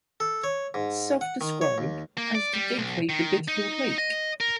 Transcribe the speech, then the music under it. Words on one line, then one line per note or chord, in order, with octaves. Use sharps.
Is self-described as the Gateway to Big Hill Lake.
A4
C#5
G#2
F#5
D#3
C#5
D#2
A#3
D5
G3
B1
D#3
D#4
D#5
A#4